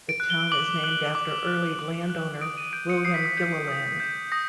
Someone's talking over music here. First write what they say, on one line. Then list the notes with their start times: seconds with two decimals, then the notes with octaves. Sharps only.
The town is named after early landowner William Gilliland.
0.09 D7
0.20 F#6
0.30 G7
0.52 D6 F#7
0.84 F#6
1.15 D6
1.47 F#6
1.79 D6
2.10 F#6
2.41 D#6 D7
2.57 D#7
2.73 G6 D7
2.90 C#7
3.05 D#6 C7
3.14 B6
3.24 C7
3.37 G6
3.69 D#6
4.00 G6
4.32 D#6 A#6